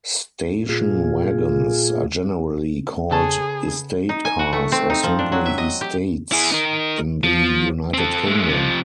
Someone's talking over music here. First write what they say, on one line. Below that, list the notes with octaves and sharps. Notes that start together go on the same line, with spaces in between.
Station wagons are generally called "estate cars" or simply "estates" in the United Kingdom.
A#2 F4 G#4
C#3 B3 G#4 A4 C#5
D#4
G#5
F#4
A3
C4
D#4
F3
D4
F#3
E5
D#5
G4
E4 G#4
D#4 A#4
F3
C4 A4
G#3 A3
C3 F3